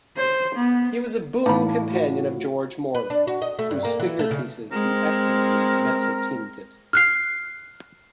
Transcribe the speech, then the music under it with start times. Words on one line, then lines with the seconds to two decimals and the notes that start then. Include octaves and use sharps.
He was a boon companion of George Morland, whose figure-pieces he excellently mezzotinted.
0.17 C5
0.55 B3
1.46 A2 E3 D#4 F5 A5 B5 D6
1.90 A3 F4 F#4
2.95 B4
3.10 D4
3.27 F#4
3.42 D#5
3.59 A3
3.71 G2
3.85 A#3
4.00 E3
4.19 A3
4.31 C#3
4.72 G#3 C4 A#4
6.93 F6 F#6 C7